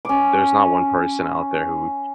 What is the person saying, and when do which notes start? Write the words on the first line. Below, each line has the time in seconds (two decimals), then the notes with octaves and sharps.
there's not one person out there who
0.05 C#4 D6